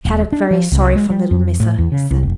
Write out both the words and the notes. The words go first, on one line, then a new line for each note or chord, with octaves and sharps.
"Kadok very sorry for little Missa," he said.
D#1
D4
F3
C2
G#3
G3
F2
A2
E2
C#3
C2
F1